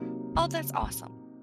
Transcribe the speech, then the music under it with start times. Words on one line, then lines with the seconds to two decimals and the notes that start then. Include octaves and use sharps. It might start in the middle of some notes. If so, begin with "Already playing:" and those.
Oh, that's awesome.
Already playing: C3 F#3 A#3 D#4
0.35 C#3
0.83 A#2